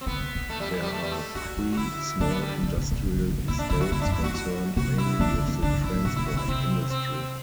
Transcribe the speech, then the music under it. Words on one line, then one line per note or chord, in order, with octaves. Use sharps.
There are three small industrial estates concerned mainly with the transport industry.
C4
D3 B3
C3
B2
A3
G3
E3
G3
A3
G3
A3
F#2 F#4
E2
F#2
F#4
D3 E4
D3 D4
B3
G3
D3
B2
B2
D3
E3
D3
C3
B2 E4
D4
D3 E4
F#4
G2 E4
F#2 D4
E4
E2 F#4
F#4
C3 F#4
E4
E3 D4
D3
E3
D3 D4
G2
F#2 E4
A2
B2 F#4
B2 E4
F#4
B2 E4
C3 C4
C4